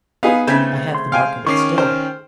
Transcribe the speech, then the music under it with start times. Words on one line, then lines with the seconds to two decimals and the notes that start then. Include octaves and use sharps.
I have the mark of it still.
0.23 B3 D#4 G#4 F5 B5
0.47 C#3 A3 C4 G6 G#6 B6
0.95 C6
1.12 F5 G5 G#5
1.47 D#3 C#4 C#6 D6 C7
1.78 C5 G5 F6